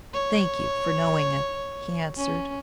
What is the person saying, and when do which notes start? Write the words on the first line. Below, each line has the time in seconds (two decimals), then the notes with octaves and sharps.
"Thank you for knowing it," he answered.
0.14 C#5
2.17 C#4